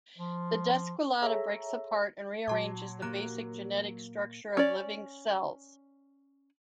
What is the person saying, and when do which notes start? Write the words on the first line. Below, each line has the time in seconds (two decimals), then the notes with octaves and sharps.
The Descolada breaks apart and rearranges the basic genetic structure of living cells.
0.18 F3
1.22 G#4 A4 C#5 E5 A#5
2.48 A#2 F#3 A5 C6 D6 G#6
3.02 A#3 G4 A#5 F#6
4.57 C#4 D5